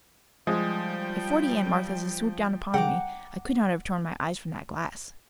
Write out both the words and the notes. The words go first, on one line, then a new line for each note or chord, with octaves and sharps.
If forty Aunt Marthas had swooped down upon me, I could not have torn my eyes from that glass.
F3 G3 G#3 G5
C#3 G3 G#4 F#5 G5 A#5 D6